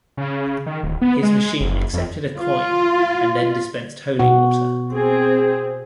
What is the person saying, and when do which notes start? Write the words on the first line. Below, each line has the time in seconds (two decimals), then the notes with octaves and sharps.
His machine accepted a coin and then dispensed holy water.
0.17 C#3
0.66 D#3
0.83 D1
1.01 B3
1.23 G#3
1.60 F#1
1.93 F2
2.38 F4
4.19 B2 F#4
4.91 C4 G#4